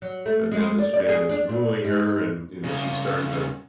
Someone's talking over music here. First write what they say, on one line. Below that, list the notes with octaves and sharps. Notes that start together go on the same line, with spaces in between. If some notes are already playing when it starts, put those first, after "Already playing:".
but now this man is wooing her and, you know, she's starting to,
F#3
A3
G#3
D5
D5
G#4
D4
A#2
G#2
C2 C#3